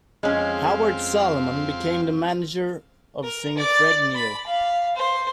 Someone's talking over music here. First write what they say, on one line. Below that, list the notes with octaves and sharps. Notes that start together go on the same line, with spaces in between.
Howard Solomon became the manager of singer Fred Neil.
F2 G#3 C4 C#4 F5
A#4
D5
B5
F5
C5